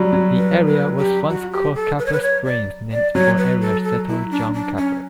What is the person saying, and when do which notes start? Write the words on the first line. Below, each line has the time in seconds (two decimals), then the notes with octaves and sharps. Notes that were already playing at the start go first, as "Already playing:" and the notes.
The area was once called Capper Springs, named for area settler John Capper.
Already playing: F#3 G3
0.13 F#3
0.37 B4
0.67 B4
0.98 G4
1.29 F#4
1.52 G4
1.75 A4
1.99 B4
2.06 C#5
2.13 B4
2.22 C#5
2.45 D5
2.92 D5
3.14 F#3 C#5
3.38 B4
3.61 A4
3.84 A4
4.08 E4
4.31 D4
4.54 D4
4.77 C#4